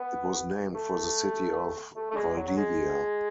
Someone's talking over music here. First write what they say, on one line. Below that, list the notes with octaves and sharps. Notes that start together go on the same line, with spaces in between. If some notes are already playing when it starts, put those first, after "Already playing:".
It was named for the city of Valdivia.
Already playing: B3
A3
A3
A3
G#3
F#3
F#3
G#3